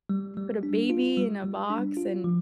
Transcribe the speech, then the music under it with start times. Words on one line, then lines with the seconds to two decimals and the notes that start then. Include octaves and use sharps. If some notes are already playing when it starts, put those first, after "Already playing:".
put a baby in a box and
0.09 G3
0.37 G3
0.63 D4
0.90 F4
1.17 G3
1.44 G3
1.70 D4
1.97 F4
2.24 F3